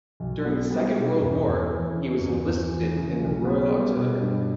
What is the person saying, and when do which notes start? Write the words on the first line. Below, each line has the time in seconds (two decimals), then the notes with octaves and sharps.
During the Second World War he was enlisted in the Royal Artillery.
0.20 B1
0.45 B3
0.71 G3
0.96 B2
1.21 E2
1.45 E2
1.71 E3
1.95 C#3
2.21 E2
2.45 E2
2.71 E3
2.96 C#3
3.21 B1
3.45 B3
3.70 G3
3.96 B2
4.20 G2